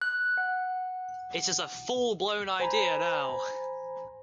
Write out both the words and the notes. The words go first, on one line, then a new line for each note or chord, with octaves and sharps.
It is a full blown idea now.
F#6
F#5
C5 G#5 A#5 B5